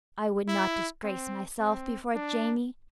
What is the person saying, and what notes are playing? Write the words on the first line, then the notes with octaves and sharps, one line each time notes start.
I would not disgrace myself before Jamie.
E4
C4
C4
D4